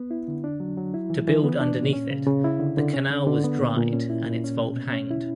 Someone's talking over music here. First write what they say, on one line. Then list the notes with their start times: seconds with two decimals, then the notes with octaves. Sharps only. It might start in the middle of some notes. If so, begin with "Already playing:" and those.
To build underneath it, the canal was dried and its vault hanged.
Already playing: B3
0.11 E4
0.28 D3
0.44 D4
0.60 F#3
0.77 F#3
0.94 E4
1.10 E3
1.28 E3
1.44 B3
1.60 D4
1.77 A#2
1.93 C#4
2.11 C#3
2.26 C#3
2.44 E4
2.60 D3
2.77 D3
2.93 C#4
3.11 D3
3.27 D3
3.44 B3
3.60 A#2
3.77 A#2
3.93 C#4
4.10 E4
4.26 A#2
4.44 C#4
4.59 B2
4.76 B2
4.93 C#4
5.11 E4